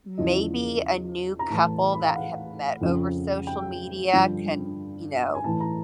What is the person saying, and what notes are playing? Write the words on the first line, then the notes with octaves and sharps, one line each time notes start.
maybe a new couple that have met over social media can, you know,
E2 C#3 F3 D#5
A#5
A2 E3 A5
B5
F5
F#5
F2 C#3 F3
G5
G2 D3 F3
G#5
A2 E3 A5
A#5